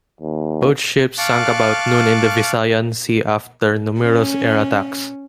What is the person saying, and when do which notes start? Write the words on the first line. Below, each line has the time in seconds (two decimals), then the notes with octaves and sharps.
Both ships sank about noon in the Visayan Sea after numerous air attacks.
0.21 D#2
1.18 F5 A5 C#6 D6 F6 F#6
4.01 C#4